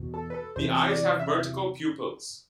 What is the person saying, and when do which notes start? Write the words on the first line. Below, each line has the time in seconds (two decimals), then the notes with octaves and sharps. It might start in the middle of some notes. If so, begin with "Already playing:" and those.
The eyes have vertical pupils.
Already playing: E2 B2
0.14 A4
0.30 B4
0.34 A4
0.56 E2 C3 E3 C5
0.87 D5
1.19 E5